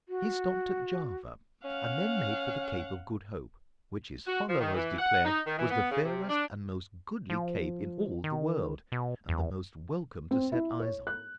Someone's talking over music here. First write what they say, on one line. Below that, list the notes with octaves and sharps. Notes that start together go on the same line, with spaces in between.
He stopped at Java, and then made for the Cape of Good Hope--which his followers declared was the fairest and most goodly cape in all the world, and the most welcome to set eyes on.
F#4
C#4 F5 F#5
F#4
F3
D#3
E3
F#5
D#4
D#3
E3
B3
C#3
C3
D4
F3
D#3
B2
E2
C4
E4
C#5
F#6